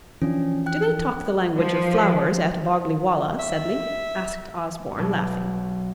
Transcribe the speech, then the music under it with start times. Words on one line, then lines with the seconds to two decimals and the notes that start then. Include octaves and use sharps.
"Do they talk the language of flowers at Boggley Wollah, Sedley?" asked Osborne, laughing.
0.22 E3 F3 C#4 D4
0.66 G5 F#6
1.57 F3
3.39 E5
4.98 B1 F#3 A4 G#6